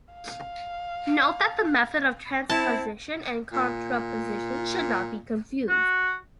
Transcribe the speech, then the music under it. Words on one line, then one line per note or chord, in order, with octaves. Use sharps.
Note that the method of transposition and contraposition should not be confused.
F5
C4 E4 A5
A#2
F#4